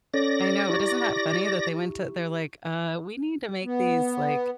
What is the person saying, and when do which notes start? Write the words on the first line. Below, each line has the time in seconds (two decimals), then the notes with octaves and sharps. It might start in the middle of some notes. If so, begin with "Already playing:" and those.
I know, but isn't that funny that they went to they're like, "Uh, we need to make these, like,
0.14 C#4 A4 C#5 D5 A#6
0.69 E4 G4 C#6
3.63 B3